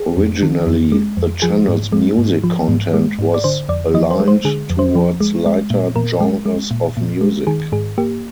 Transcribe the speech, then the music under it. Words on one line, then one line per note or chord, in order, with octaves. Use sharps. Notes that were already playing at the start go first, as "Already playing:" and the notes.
Originally, the channel's music content was aligned towards lighter genres of music.
Already playing: G#4
F2
D#3
F2
G#3
F2
F3 G#4
G#2
G#3
G#2
F3
G#2
G#3
G#2
D5
D3 C5
F2 D5
F3 D#5
C5
G#3
C5
D3 G#4
F2
C5
F3
G#3
G#3
A#2
A#2 A#4
G#3
G#3
A#2
A#2
G#3
D#3 G#4
G#2 G#4
A#3 G4